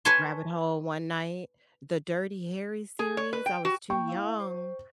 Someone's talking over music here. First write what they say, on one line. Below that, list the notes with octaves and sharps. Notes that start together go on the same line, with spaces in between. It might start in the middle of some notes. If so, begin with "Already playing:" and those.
rabbit hole one night, the Dirty Harry series, I was too young
B4 C#5 G#5 A5 C6
G#4
C#5
B4
G5
F#4
A#3 G5 C#6
E4 F5
C5